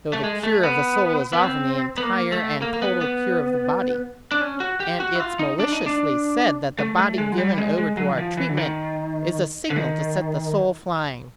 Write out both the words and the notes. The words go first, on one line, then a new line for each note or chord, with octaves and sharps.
Though the cure of the soul is often the entire and total cure of the body: and it's maliciously said that the body given over to our treatment is a signal to set the soul flying.
A3
G#3
A3
B3
B3
C4
B3
A#3
A3
A#3
A#3
B3
B3
D4
C#4
F#4
G4
F#4
E4
F4
D#4
D4
D#4
D4
A3
A3
G#3
F#3
G3
G#3
G#3
F#3
E3
F3
E3
D3
D#3
D3
D#3